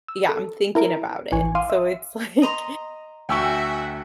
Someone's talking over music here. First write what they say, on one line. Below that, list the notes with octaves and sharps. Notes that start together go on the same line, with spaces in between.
Yeah, I'm thinking about it. So, it's like,
E6
A4
E4 A#4 A#5 D7
A1 E3 G#5 C#6
F5 C6 D6 D#7
E5
D#5 A#5 C6
D2 F#4 E5 G5 G#5 C#6 E6